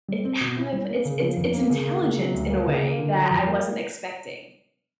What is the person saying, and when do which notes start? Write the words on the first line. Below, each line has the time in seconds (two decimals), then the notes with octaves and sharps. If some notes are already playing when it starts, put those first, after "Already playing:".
it's how do I put it's it's it's intelligent in a way that I wasn't expecting.
0.08 G3
0.25 C4
0.41 B2
0.57 E4
0.73 G3
0.89 A#3
1.05 C#3
1.21 F3
1.37 F2
1.54 A#3
1.70 C#3
1.85 A#3
2.02 C#3
2.18 F#3
2.34 D2
2.51 A#3
2.67 C#3
2.83 A#3
2.99 D3
3.15 F#3
3.31 F2
3.47 A#3